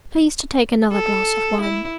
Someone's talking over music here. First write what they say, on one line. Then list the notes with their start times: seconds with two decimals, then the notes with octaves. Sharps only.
"Please to take another glass of wine."
0.92 A4
1.61 E4